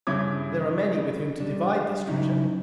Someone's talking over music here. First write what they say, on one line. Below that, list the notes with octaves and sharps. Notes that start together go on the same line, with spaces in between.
"But there are many with whom to divide this treasure...."
G2 C#3 E4 D6 G#6
G3 D4
C#3 F#3 D#4 E4